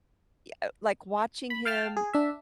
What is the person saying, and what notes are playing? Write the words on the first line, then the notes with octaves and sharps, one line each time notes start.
y uh, like watching him,
B5
F5 G5 A5 F6
G#4
D4 E5